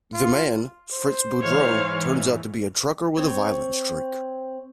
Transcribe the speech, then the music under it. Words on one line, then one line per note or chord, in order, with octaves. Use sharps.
The man, Fritz Boudreau, turns out to be a trucker with a violent streak.
F4
C5
G#2 E3 C#5 F5
C4 C#5